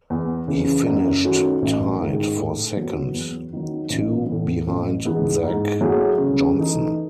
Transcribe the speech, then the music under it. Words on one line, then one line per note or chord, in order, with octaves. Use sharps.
He finished tied for second, two behind Zach Johnson.
E2
C#3 E3
F#2
D#3 A3 C#4 F#4
A1
G#2 D#3
A2
F#3 B3
E2
D#3 F#3
A1
A2 E3 B3
A1
G#2 E3 G#3 B3
G#2
F#3 A3 E4 G#4
C#3
E3 A3 D#4